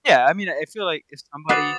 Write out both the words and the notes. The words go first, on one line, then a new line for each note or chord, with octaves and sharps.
Yeah, I mean I feel, like, if somebody's,
F#4 B4 C5 D6 D#6 A6